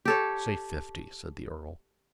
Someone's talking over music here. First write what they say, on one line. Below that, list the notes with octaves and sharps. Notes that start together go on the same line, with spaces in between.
"Say fifty," said the earl.
G4 A4 C#5